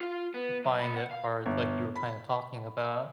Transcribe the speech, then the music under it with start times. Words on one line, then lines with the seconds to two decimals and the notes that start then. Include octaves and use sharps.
find it hard, like you were kinda talking about.
0.01 F4 F5
0.34 B3
0.64 F#3
0.80 A#3 B5
0.96 F#5
1.11 F5
1.46 G1
1.95 B5